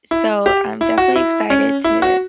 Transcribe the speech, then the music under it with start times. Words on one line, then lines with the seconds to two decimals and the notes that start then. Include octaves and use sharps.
So I'm definitely excited to
0.11 E4
0.46 G4
0.81 E4
0.98 F#4
1.16 E4
1.50 C#4
1.84 E4
2.02 F#4